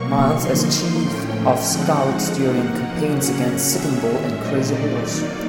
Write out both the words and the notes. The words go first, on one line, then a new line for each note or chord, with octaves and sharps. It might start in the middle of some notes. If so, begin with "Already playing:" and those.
Miles as chief of scouts during campaigns against Sitting Bull and Crazy Horse.
Already playing: B2 F#3 A#3 C#6
D3 F3 A#3 D#4 C6
A2 F3 A3 C#4 G5
D3 F3 G#3 C4 D#4 F#5
F3 A#3 D#4
C#3 F#3 A#3 C#4
D#3 G#3 C#4 E5
A#2 F#3 A3 C4 D#4 D#5
D5
D#3 F#3 A#3 D#4 D5